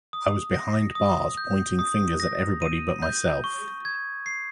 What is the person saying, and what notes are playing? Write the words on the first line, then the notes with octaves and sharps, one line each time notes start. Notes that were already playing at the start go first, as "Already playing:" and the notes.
I was behind bars, pointing fingers at everybody but myself.
D#6
A#6
D#6
G6
D#6
A#6
D#7
G6
C#6
G#6
C7